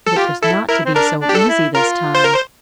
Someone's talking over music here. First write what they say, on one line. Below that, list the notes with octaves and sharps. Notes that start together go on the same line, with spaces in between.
But it was not to be so easy this time.
A4
F4 G4
E4 A4
E4 A#4
C4
D4 A#4
D4
G4
A4
E4
F4 A#4
C5
A#4
C5